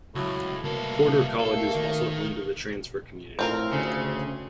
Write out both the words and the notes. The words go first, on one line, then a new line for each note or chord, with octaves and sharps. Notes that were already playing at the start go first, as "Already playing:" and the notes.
Porter College is also home to the Transfer Community.
C#2 A2 F#3
C2 B2 A3 A#3 A4
A4
D#3
A2 C4 F4 A#4
D2 C#3